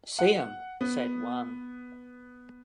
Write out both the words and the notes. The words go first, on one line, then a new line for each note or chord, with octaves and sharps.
'See 'em,' said one.
F#5
B3